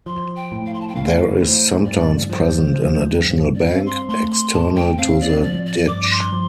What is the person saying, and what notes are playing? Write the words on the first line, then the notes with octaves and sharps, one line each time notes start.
There is sometimes present an additional bank, external to the ditch.
F3 C6
G5
A2
F5
C6
A5
G5
A2 F5
A2 C5
G2 D5
F3 C5
F3
G2
D5
C4 F5
C6
A3 C6
C6
A2 A5
G5
C4 F5
D5
F3 D5
D5
G2 D6
C6
F3